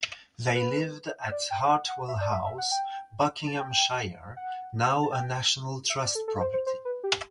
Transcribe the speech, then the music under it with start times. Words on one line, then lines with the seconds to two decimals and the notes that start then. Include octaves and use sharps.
They lived at Hartwell House, Buckinghamshire, now a National Trust property.
0.55 B4
1.31 D5
1.51 G5
1.69 F#5
1.88 F#5
2.08 E5
2.21 D5
2.33 E5
2.46 E5
2.58 F#5
2.71 G5
3.47 A5
3.60 G5
4.36 F#5
5.03 A5
5.13 G5
5.90 E5
6.02 D5
6.15 A4
6.28 A4
6.40 C5
6.53 C5
6.66 C5
6.85 B4
7.04 G4